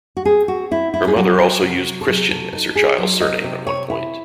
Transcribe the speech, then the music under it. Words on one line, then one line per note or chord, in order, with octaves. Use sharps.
Her mother also used Christian as her child's surname at one point.
F#4
C4 G#4
F#4
C4 E4
E4
G#4
F#3 F#4
C3
A4
F#3 G#4
A4
D#4 A4
G#4
F#3 C5
D#5
C3
C#5
E4